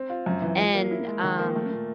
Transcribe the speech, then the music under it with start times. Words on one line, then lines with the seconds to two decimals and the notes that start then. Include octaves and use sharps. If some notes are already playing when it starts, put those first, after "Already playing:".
And um,
Already playing: C4
0.10 F4
0.26 F#2
0.42 E3
0.59 F3
0.75 A#3
0.91 E4
1.07 G#3
1.23 D#3
1.39 A#3
1.56 A3
1.72 A#2